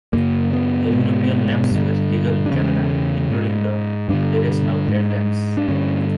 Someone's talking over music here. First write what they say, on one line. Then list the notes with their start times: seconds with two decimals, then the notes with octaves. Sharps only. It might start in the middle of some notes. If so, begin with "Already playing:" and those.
The European lamps were legal in Canada, including the directional headlamps.
0.13 F#2 C#3 A#3
0.53 B3
0.92 G#2
1.71 G2 D3
2.46 D4
2.51 E2 C#3 C#4
3.30 G#2
4.09 G2 D3 D4
4.88 G#2
5.57 D4
5.68 G2 D3 C#4